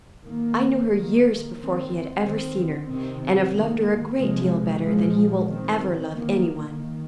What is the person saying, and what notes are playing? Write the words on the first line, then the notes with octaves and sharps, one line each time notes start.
I knew her years before he had ever seen her, and have loved her a great deal better than he will ever love any one.
D#3 A#3
D#3 A#3
D#3 C4
D#3 C4
C3 D#3 C4
D#3 A#3
C3 F3 G#3
A#2 F3 G#3
D#3 C4
D#3 A#3
D#3